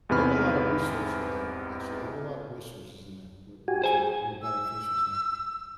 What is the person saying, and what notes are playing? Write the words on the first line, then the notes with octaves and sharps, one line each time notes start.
They have a lotta resources there, actually, they have a lotta resources in there, where where true real beneficial stuff.
E2 G#2 C3 B4 B5 F6
F#4 G4 G#5
G#4 C5 G#5
E6